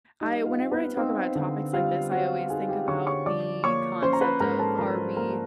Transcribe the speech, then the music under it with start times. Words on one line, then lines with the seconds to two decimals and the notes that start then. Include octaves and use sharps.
I whenever I talk about topics like this, I always think about the concept of, are we,
0.21 G3 D#4 D#5
0.46 F4 F5
0.59 C4
0.72 B3 B4
0.97 C4 D#4 C5
1.36 D3
1.73 G3 F4 F5
2.11 C4 F#4 F#5
2.50 D#4 G#4 G#5
2.69 G4 G5
2.88 D3 C#5 C#6
3.07 C#5 C#6
3.26 F3 D5 D6
3.64 A#3 C#5 C#6
4.02 C#4 C5 C6
4.13 A#5
4.21 B4 B5
4.40 G#2 A#4 A#5
4.59 A4 A5
4.78 F3 A#4 A#5
5.17 A#3 A#4 A#5